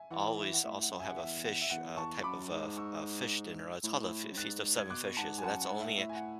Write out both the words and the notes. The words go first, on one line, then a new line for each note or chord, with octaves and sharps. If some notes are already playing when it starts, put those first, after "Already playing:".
always also have a fish, uh, type of, uh, a a f fish dinner it's called a F Feast of Seven Fishes, so, that's only
Already playing: E5 G#5
E3 F#5
E5
F#5
A2 E5
F#5
F#2
E5 G#5
F#5
E2 E5
F#5
E5
E2 F#5
E2 A5 C#6
F#2 B5 D6
G#2
C#6 E6
A2
G#2
A2
F#2
G#2 F#6 A6
G#6
B2 D6 F#6
G#2 F#5 A5
G#5
F#2 F#5 A5
F#5
G#2
E5
A2 E5
G#5
F#5